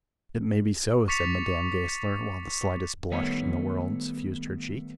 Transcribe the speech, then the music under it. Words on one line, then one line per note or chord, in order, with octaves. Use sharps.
"It may be so," said Madame Goesler, while the slightest blush in the world suffused her cheek.
C#6 D6 A6 B6 C#7 F7
D#3 G3 A3 B3 C#5